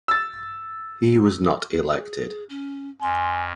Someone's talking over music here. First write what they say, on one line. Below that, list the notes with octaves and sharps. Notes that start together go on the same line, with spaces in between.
He was not elected.
E6 A6
G#4
C#4
F2 G#5 C6